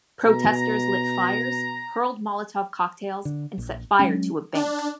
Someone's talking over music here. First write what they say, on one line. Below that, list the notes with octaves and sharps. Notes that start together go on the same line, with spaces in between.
Protesters lit fires, hurled Molotov cocktails, and set fire to a bank.
B2 A#5
D3
A#1
F#3 G#3 C#4
D4